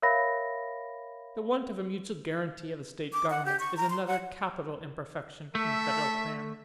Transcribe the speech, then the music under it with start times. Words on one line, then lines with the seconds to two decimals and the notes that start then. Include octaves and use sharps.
The want of a mutual guaranty of the State governments is another capital imperfection in the federal plan.
0.02 A#4 C#5 E5 F5 B5 A#6
3.12 D6
3.30 F#5
3.45 G4
3.59 C#6
3.77 A#5
3.90 C6
4.07 F#5
5.55 A3 A4 E5